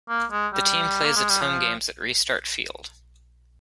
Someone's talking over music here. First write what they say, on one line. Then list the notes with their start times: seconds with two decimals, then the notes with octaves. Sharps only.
The team plays its home games at Restart Field.
0.09 A#3
0.32 G#3
0.54 G3
1.05 A#3
1.16 G#3
1.30 G3
1.42 F3